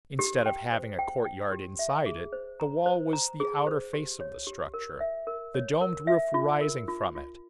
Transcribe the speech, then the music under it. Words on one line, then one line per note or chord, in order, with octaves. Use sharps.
Instead of having a courtyard inside it, the wall was the outer face of the structure, the domed roof rising from it.
G4
G5
C5
G5
G5
G4
E5
G#4
C5
A#5
C5
A#5
G#4
C5
G4
C#5
G4
A#4
E5
A#4
C#5
A#4
E5
F4
A#4
F4
F4